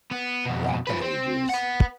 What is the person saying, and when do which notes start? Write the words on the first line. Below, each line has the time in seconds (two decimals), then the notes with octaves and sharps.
Rock of ages.
0.11 B3
0.46 F2 B2
0.87 F3 B4
1.02 C4
1.49 B4 F#5